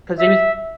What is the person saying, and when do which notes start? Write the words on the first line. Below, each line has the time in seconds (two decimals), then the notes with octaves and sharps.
'Cause he was
0.19 E5